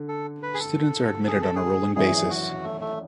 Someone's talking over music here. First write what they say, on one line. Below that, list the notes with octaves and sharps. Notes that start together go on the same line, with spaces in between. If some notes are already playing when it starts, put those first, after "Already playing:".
Students are admitted on a rolling basis.
Already playing: D3
A4
B4
G#4
A4
G#4
A4
G#4
G#1 F#2 E3 G#4
F#4
A3
A3